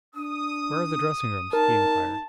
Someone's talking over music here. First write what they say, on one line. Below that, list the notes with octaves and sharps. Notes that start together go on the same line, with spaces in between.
"Where are the dressing rooms?" he inquired.
D4 D#6
D#4 A#4 A5